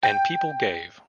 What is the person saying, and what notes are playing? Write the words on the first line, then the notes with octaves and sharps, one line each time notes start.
And people gave.
G5